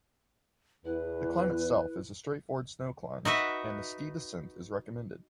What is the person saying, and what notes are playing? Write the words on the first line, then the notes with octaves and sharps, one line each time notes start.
The climb itself is a straightforward snow climb, and the ski descent is recommended.
E2 E4 B4
D#4 F#4 B4 E5